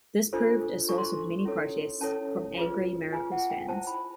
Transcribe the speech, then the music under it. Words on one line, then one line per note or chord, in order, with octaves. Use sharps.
This proved a source of many protests from angry Miracles fans.
D4 F4 A4 C5
D4 F4 A4 C5 C#6
C6
C#6
C#4 E4 A4 C#5
C#4 E4 A4 C#5 A5
F4 G#4 B4
F4 G#4 B4 G#5
F#5
G5
E4 G#4 C5 A5
B5